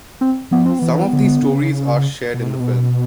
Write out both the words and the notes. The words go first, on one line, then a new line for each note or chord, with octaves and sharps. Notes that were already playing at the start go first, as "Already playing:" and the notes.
Some of these stories are shared in the film.
C4
F3 B3
C4
E3 B3
D3
C#3
D3
C#3
B2
C3
B2